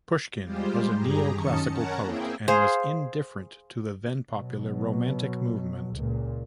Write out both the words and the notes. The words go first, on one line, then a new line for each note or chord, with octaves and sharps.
Pushkin was a neoclassical poet and was indifferent to the then-popular romantic movement.
G3 G#3 F4 G4 C5
G2 G4 G#4 A#5
F#2 D#3 C#4 D#5 A5 C#7
C#4 A#4 C#5 F#5 A5 A#5
A#3 C4 E4 G#4 G5
G#4 C5 F5
B2 F#3
C#2 A#2